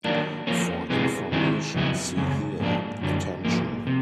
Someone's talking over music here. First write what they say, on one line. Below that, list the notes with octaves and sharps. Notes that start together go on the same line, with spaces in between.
For information, see here Attention!
D#3 F#3 A#3 D4
F3 A#3 C#4
C3 E3 G#3 B3
D#3 G#3 C4 E4
F2 C#3 F#3 B3 E4
F#2 C#3 G#3
G#2 F3 A#3 D4
F#2 D3 F#3
G#2 F3 A#3
C3